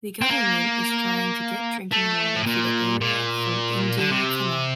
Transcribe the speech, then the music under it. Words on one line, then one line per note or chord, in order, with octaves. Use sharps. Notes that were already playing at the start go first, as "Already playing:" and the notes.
The Government is trying to get drinking water for the area from Indira Canal.
C4
A#3
A3
A2
A#2
A#2
D3
C3